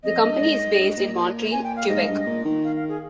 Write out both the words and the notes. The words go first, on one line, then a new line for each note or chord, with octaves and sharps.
The company is based in Montreal, Quebec.
F2 D#5
G2
G#2
G2
A#2
G#5
G5
F5
G#2 D#5
G#2
G2
A#2
D#3
F5
F5
G#4